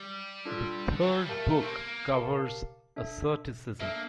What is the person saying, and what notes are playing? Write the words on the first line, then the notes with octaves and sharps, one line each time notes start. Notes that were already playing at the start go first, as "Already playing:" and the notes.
The third book covers asceticism.
Already playing: G3
D4 F4 A4 D5
D3
E3
F3
G3
A3 G4 A#4 F5 A5
C4
A#3
G4 A#4 F5 A5
D4 A4 E5
A#3 D4 A4 E5